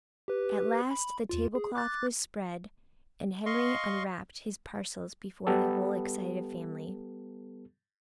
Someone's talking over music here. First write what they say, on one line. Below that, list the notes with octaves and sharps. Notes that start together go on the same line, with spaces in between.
At last the tablecloth was spread and Henry unwrapped his parcels before the whole excited family.
G4 B4
B5
E2 F4
G#4
D6 F#6 A6
D#5 F5 C6 C#6
G3 B3 G4 A4